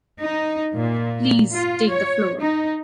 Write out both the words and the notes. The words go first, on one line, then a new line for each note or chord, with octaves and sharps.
Please, take the floor.
D#4
A#2
F4
C#5
D#4